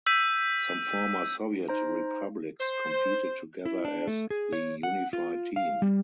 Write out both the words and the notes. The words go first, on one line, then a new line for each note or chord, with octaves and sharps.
Some former Soviet republics competed together as the Unified Team.
E6 G6 B6 D#7
D#4 C5 A#5
C5
E4
D4
A3
G#4
C#5
F#5
F4
F5
G3